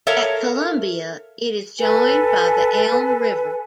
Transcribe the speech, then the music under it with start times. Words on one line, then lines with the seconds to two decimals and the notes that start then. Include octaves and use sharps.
At Columbia, it is joined by the Elm River.
0.07 A4 A#4 C#5 E5 F5
1.78 A4 B4 G#5